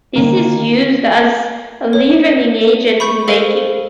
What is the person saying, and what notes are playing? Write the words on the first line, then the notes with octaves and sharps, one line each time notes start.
This is used as a leavening agent in baking.
D#3 A#3
C#5
B5 C#6 G6
A4 A#4 C5 F5